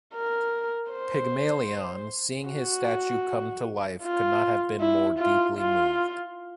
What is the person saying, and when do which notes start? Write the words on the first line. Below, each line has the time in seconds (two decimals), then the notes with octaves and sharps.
Pygmalion seeing his statue come to life could not have been more deeply moved.
0.14 A#4
0.92 C5
2.47 F#4
4.03 F4
4.80 E4
5.19 F4
5.58 F4